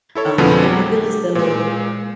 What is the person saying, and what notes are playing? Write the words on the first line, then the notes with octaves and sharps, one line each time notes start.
um, and I feel as though
E4 A4 C#5
F2 B2 D3 F3 G#3 B3
G4
A#2 G#3